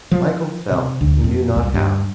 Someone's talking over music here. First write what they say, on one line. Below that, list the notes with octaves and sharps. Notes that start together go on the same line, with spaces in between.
Michael felt he knew not how.
F3
C3
D2
F2
C2
G2